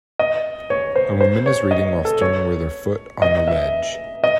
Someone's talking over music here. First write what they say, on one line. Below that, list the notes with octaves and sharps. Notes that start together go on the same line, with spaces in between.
A woman is reading while stirring with her foot on a ledge.
D#5
C#5
C5
C5
C#5
D#5
A4
C#5
D#5
E5
D#5